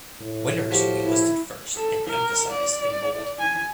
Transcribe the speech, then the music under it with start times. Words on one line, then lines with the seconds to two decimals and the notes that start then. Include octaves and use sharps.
Winners will be listed first and emphasized in bold.
0.21 A2
0.71 F3 F#4 G4
1.04 E4
1.76 A4
2.07 A#4
2.51 D5
3.39 G#5